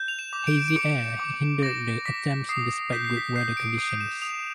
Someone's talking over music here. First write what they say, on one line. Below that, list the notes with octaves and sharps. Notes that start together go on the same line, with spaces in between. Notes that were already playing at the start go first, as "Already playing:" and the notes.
Hazy air hindered the attempts despite good weather conditions.
Already playing: G6
F7
E7
D6
D7
D7
D6 C#7
D6
D6 A#6
D6 B6
D#6 C7
G6 B6
C7
B6
G6 C7
D7
D#6 D#7
E7
D#6 F7